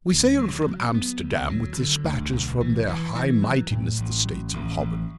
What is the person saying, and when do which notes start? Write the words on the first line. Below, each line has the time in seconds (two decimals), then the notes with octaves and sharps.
We sailed from Amsterdam with despatches from their High Mightinesses the States of Holland.
0.12 D2
0.39 F#3
0.67 F#3
0.94 B3
1.22 D2
1.49 F#3
1.77 D3
2.05 D2
2.33 B1
2.60 E3
2.88 E3
3.15 E3
3.42 F#3
3.70 A2
3.98 A1
4.25 F#3
4.53 A1
4.80 A1